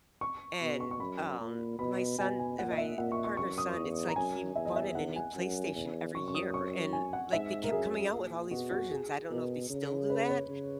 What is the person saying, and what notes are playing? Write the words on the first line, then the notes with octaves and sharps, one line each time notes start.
and um my son, ri my partner's son, it's like he wanted a new PlayStation every year, and like they kept coming out with all these versions. I don't know if they still do that,
C#6
B2
C#6
C#6
F#2 B5
A#2
B2 B5
B2 G#5
G#5
A#2 F#5
D#5
E5
A#2 F#5
C#6
C#6
F#2 C#6
D#6
E2
A#5
F#2 G#5
E2 E5
D#5
E5
F#5
G#5
F#2
E2
F#2 C#6
C#6
D#6
C#6
G#5
F#5
G#2 E5
A#4
F#2 G#4
A#2
B2 F#4
F#4
G#4
B2 A#4
C#3
B4
C#5
C#3